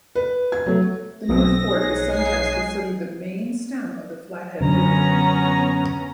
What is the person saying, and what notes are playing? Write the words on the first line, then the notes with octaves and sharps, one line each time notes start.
The North Fork is sometimes considered the main stem of the Flathead River.
B4
G#6
F#3 A3
B1 D#6 E6 A#6
D#4 G#4 C#5 F#6
G#3 G#5 C7
F#2 D3 B3 C#4 A#5